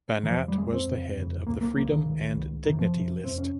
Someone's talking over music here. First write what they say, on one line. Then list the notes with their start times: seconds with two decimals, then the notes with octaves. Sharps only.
Banat was the head of the Freedom and Dignity List.
0.23 D#3
0.28 F2 C#3 F3
0.48 G3
0.58 F2 C#3 G#3
0.73 C4
0.87 F2 C#3
1.17 F2 C#3
1.46 C#2 C#3 A#3
1.61 A#3
1.76 C#2 C#3 A#3
1.90 D#3
2.06 C#2 C#3
2.35 C#2 C#3
2.64 F2 C3 D#3
2.79 F3
2.94 F2 C3
3.23 F2 C3 C4
3.38 C#4